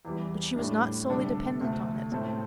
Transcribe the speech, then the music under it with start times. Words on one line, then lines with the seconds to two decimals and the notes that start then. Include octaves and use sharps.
But she was not solely dependent on it.
0.05 E2 E3 G3
0.56 A2 G3 D4
1.08 D2 C3 G3 D4 A4
1.61 D2 C3 A3
2.12 A2 A3 C4 A4